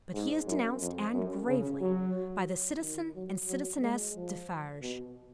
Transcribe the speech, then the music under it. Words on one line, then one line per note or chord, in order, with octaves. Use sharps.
But he is denounced--and gravely--by the Citizen and Citizeness Defarge.
G#2
F#2
F2
F#2
C#3
F#3
D#3
F#3
F#3
G#3
F3
B2